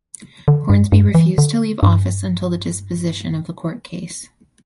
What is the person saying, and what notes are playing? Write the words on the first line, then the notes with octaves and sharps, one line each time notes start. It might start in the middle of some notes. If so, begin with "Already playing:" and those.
Hornsby refused to leave office until the disposition of the court case.
D3
G2
G2
E3
D3
G2